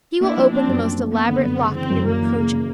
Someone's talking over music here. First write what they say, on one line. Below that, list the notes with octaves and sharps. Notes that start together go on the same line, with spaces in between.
He will open the most elaborate lock irreproachably...
A#3 D4 E4
F3
A#3 C4 D4
F#2
A#3
A#3
A#3 B3
D3
F#2
C#3
E3 C4
F#2
F#2 A#3
E3
C#3
C#3